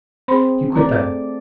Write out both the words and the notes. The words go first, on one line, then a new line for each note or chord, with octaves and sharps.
"You quit that!"
C4 G#4 C5 B5 C6
A3 D5 A#5